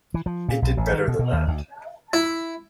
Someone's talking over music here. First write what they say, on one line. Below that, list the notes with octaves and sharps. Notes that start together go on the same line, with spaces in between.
It did better than that.
E3
F3
A#2
B1
A1
D#3
B2
B2
D#2
D2
E4